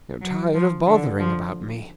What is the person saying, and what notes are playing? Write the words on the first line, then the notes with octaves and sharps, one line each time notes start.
You're tired of bothering about me.
F#3
F3
D3
F3